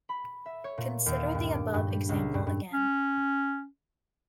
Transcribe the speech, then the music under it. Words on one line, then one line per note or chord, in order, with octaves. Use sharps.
Consider the above example again.
B5
E5
C#5
A#2
D#2
G2
D6
G2
G3
C#2
G2
G2
C#4